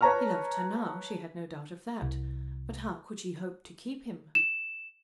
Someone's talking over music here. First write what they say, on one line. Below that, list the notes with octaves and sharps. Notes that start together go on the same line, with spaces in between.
He loved her now; she had no doubt of that; but how could she hope to keep him?
B4 C#5 A5 A#5 C#6 F6
C2
E7